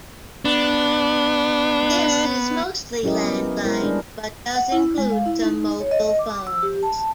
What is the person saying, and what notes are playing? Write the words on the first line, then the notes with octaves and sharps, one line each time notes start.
This is mostly landlines, but does include some mobile phones.
B3 D4
F#3 C#4 E4 G4 A#4 D#5
B3
G#3 E4 A#4 C5
G3 D4 G#4
F#5
E4
G#3
F5
E4
D#4
C#5
D#5
D6
E6
G4
A5